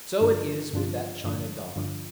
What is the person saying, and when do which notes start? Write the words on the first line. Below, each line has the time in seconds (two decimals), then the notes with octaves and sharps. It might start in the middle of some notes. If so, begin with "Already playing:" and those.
So it is with that china dog.
0.21 G2 D3 F3 D4 F4
0.73 G2 D3 F3 D4 F4
1.24 G2 D3 F3 D4 F4
1.76 G2 D3 F3 D4 F4